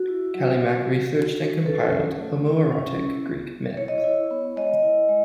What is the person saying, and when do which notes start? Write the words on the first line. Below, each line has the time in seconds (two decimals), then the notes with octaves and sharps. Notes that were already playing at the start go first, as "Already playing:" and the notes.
Calimach researched and compiled homoerotic Greek myths.
Already playing: F#4
0.08 E4
0.34 F#3
0.60 B3
0.87 F#3
1.14 E4
1.39 E4
1.57 B4
1.66 C#4 A4
1.93 F#3
2.19 A3
2.46 E4
2.72 C#4
2.98 E4
3.24 B3
3.51 B3
3.77 E4 C#5
3.88 D#5
3.98 C#5
4.04 E4
4.31 B3
4.56 G#3 D#5
4.83 E4
5.09 G#3